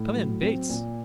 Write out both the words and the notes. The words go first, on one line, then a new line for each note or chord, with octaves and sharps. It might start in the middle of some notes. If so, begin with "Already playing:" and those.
Come in, Bates.
Already playing: A2
F#3
C4
A#2